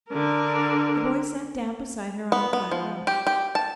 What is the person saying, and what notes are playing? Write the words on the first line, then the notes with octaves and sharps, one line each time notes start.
The boy sat down beside her on the flat rock.
D3 A#4
B3
B3
F3
G4
G4
A5